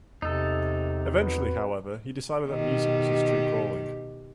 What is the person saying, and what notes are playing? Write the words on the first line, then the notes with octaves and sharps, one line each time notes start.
Eventually, however, he decided that music was his true calling.
E2 C3 D#4 A4
C4 F#4 B4
B2 D#3 G4